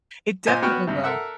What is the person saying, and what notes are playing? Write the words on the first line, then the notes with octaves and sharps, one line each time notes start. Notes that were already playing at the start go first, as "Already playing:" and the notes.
It definitely will.
A#2 F4 C5 D#5 G#5
B3 F#4 G5 C#6 F6
G2 C3
A4 A#4 E5 F#5